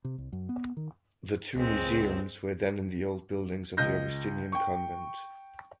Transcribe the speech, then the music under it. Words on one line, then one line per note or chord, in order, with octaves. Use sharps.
The two museums were then in the old buildings of the Augustinian convent.
C3
C2
F#2
B3
D#3
C#2 G#3 C4
C#2 D#5 G6 A#6
G5 C#6